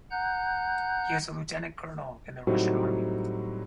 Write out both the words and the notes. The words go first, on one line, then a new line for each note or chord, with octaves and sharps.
He is a Lieutenant Colonel in the Russian Army.
F#5 A#5 F#6 G6
A2 F#3 G3 C4 D#4 F#4